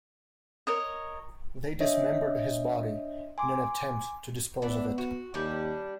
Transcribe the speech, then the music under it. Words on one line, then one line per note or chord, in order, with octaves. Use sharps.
They dismembered his body in an attempt to dispose of it.
A#4 C#5 D#5
D4 C#5 D#5 E5
G#5 C6 D6
E3 B3 D4
F#4
D#2 G3 C#4 D4